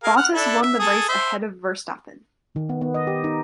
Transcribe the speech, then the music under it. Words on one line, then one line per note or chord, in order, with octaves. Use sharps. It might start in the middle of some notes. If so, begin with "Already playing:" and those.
Bottas won the race ahead of Verstappen.
G#4 A#4 F5
F#5 F6
D4 E4 A4
E5
G#4 A4 D#6
C5 E5
D#3
B3
B3
D#5
G4
D#4